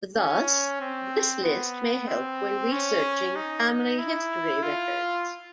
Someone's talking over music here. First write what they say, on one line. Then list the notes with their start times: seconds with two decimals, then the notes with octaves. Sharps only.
Thus, this list may help when researching family history records.
0.17 C#4
0.81 C4
1.44 B3
2.08 C4
2.72 C#4
3.36 D#4
3.99 E4
4.63 F4